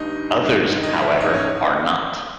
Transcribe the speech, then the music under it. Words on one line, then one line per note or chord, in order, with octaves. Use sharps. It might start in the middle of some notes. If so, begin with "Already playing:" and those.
Others, however, are not.
Already playing: G1 G2 G3 D#4 D#5
G1 G2 D#3
D#5
A#1 G#2 E3 G#3 E4 E5
C#5
D#4 D#5
C#4 C#5